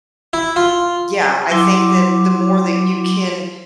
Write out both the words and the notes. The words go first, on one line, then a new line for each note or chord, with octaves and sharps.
yeah, I think that the more that you can
E4
F4
F#3 E4 C6 D6